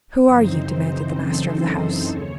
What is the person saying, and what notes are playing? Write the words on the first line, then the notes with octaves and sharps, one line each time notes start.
"Who are you?" demanded the master of the house.
F#2 C#3 E3 C4 D#4 C5
C5
A4
D#2 C#3 C#5